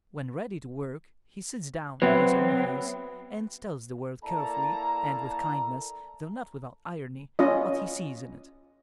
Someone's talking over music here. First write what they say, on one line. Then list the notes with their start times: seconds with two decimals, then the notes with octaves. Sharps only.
When ready to work he sits down in his own house, and tells the world carefully and with kindness, though not without irony, what he sees in it.
2.02 F#3 B3 C4 E5
4.24 A#3 E4 A4 D5 A5 A#5
7.39 C#4 F4 D#5